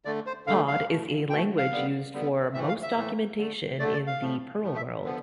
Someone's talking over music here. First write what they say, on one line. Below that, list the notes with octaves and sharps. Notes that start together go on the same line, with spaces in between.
Pod is the language used for most documentation in the Perl world.
D3 A3 D5
C5
D3 A3 F5
F5
B2 A3
B2 A3 G5
F5
D3 G3 B3
D3 G3 B3
A2 E3 A3 E5
F5
E5
A2 E3 A3
D3 A3
D3 A3 D5
D5
F5
A2 F3 A3
A2 F3 A3
E5
D3 F3 B3